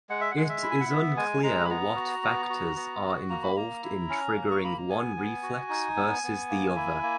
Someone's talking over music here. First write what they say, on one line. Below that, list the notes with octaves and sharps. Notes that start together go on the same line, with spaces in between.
It is unclear what factors are involved in triggering one reflex versus the other.
G#3 F#5
E5
F#5
G#3
E5
E4
G#5
F#5
B3 E5
G#3 G#5
G#3 A#5
B5
B3 A#5
F#4
B3
F#4
B3
F#4
A#3 A#5
B5
A#3 A#5
E4
C#4
A#3
C#6
A#3 B5
A#5
B3 G#5
B3
F#4
D#4
B3
B3
A#3
E4
A#3